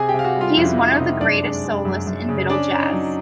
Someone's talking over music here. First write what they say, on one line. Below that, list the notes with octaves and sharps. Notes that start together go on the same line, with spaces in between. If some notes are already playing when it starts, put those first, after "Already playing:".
He is one of the greatest soloists in middle jazz.
Already playing: C3 G#4 G#5
G4 G5
C3
F5
F#4 F#5
G3
F4 F5
F2 E4 E5
F2 D#4 D#5
C3 D#4 D#5
F#2 D4 D5
G#3
G#3
F#2
F#2
C#3
C#4 D4 D5
C#4
D#4 D#5
F#3